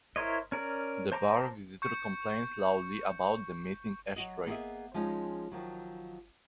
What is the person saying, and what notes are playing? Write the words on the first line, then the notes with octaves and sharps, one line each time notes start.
The bar visitor complains loudly about the missing ashtrays.
E4 A#4 C5 C#5 D#5
C#4 A#4 D5
C5 A5 A#5 C#6 D6
C#6 G6 C#7
F#3 F#4 D#5
A#3 B3 G#4 C5 D#5 E5
F3 G#3 C#4 D#4
D#3 F3 F#3